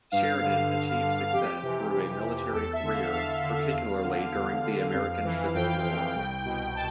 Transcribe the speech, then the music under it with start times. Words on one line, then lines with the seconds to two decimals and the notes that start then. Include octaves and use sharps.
Sheridan achieved success through a military career, particularly during the American Civil War.
0.12 G2 F5
0.42 D3
0.72 G2
1.02 D3
1.33 F2 G4
1.63 C3 E3
1.93 F2
2.23 C3 E3
2.53 E2 A4
2.73 E5
2.83 D3
2.93 F5
3.13 E2 F5
3.44 D3
3.73 E2
4.03 D3
4.34 E2
4.64 D3
4.94 F2
5.24 E3
5.54 F2 G5
5.85 E3
6.15 C2
6.45 B2
6.75 A5